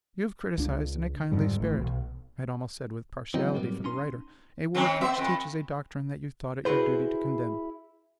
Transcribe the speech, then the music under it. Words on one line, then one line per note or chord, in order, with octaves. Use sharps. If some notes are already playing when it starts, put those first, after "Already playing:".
You have criticised in a kindly spirit--I had almost said with partiality for the writer--a work which teaches a doctrine that you thought it your duty to condemn.
C#2 D4
F2 G#2 D3 G3
G#1 A2 E3
B1
E3 F#3 B3 C4 D#4
G#2 G3 A#3
C#4 D#4 C6
D#3 C4 C#4
B3 E5
F2
E4 F#4 G#4 B4 C5